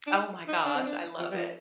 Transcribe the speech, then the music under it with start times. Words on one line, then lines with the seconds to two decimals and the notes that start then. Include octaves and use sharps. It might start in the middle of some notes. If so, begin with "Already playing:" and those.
Oh my gosh, I love it.
0.07 D4
0.13 D#4
0.48 D#4
0.65 D4
0.76 C4
0.87 D4
1.19 F3
1.31 G3
1.36 F3